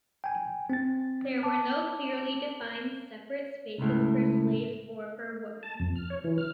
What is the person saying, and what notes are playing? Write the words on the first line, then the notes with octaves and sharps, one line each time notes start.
There were no clearly defined separate spaces for slaves or for women.
G5 G#5
C4 A6
A5 D6
C#2 A2
A5
F2
F6
C#5
E3
F6